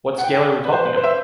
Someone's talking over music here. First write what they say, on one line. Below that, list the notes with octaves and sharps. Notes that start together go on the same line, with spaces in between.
What scale are we talking about?
F#5
G5
B4
C5
B4
C5
E5